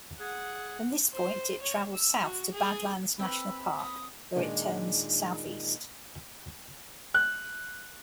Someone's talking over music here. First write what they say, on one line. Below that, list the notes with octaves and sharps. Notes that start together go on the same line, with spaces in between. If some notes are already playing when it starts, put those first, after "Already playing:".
From this point, it travels south to Badlands National Park, where it turns southeast.
G#4 F#5
C5
C#5
E6
F#4
G#4
C4 B4 B5 E6
D#6
A#2 D#3 G#3 D4
F#6